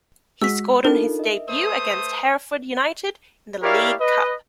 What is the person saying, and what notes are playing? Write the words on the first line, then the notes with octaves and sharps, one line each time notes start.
He scored on his debut against Hereford United in the League Cup.
G#3 F#4 E6 B6
D4 D#4 F4 A4 A#4
D#5 E5
A3 B4 C5 D#6
E4 G4 A#4 C#5 D5 F5
B4 D#5